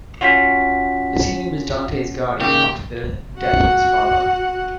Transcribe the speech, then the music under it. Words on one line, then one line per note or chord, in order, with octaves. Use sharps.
Latini was Dante's guardian after the death of his father.
C#4 F4 F#4 F#5 B6
C#3 A#3 D#4 G4
F#4 F#5